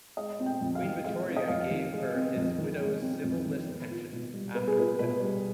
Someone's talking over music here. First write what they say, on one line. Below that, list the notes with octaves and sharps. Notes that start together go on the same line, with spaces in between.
Queen Victoria gave her his widow's civil list pension after his death.
G#3 D#5
C4
G5
F2
F5
D#3
G#3 F5
C4
D#5
F2 F5
D#3
G#3
C4
F2
D#3
G#3
C4
F2
D#3
B3
F4
B2
G3
B3 B4
G#4
F4 B4
B2 B4
G3